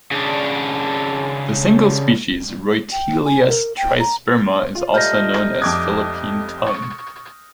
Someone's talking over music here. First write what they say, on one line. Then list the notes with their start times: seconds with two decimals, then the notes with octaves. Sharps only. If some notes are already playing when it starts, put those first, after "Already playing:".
The single species, Reutealis trisperma is also known as Philippine tung.
0.11 C#3 D4
2.92 G5
3.25 G#5
3.48 A#4
3.77 G5
3.99 A#5
4.75 F4
4.94 G3 A3 D#4 F6 G6 A#6
5.62 F2 D6 D#6 F#6 G#6
6.68 C#6